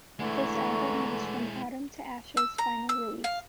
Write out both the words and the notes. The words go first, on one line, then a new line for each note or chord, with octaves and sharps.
This album was From Autumn to Ashes' final release.
D3 E3 G#3 A3 E4 A#5 C#6
E6
A#5
E6
F5